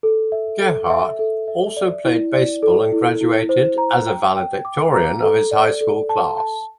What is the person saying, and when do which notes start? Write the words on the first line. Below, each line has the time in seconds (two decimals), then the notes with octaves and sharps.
Gerhart also played baseball and graduated as a valedictorian of his high school class.
0.03 A4
0.32 E5
0.61 A4
0.90 E5
1.19 A4
1.48 E5
1.77 D5
2.05 E4
2.34 D5
2.63 A4
2.92 E4
3.21 E4
3.49 C5
3.78 A#5
4.07 G5
4.36 G5
4.65 D6
4.93 A#5
5.23 A4
5.51 D5
5.81 A4
6.09 A5
6.38 A5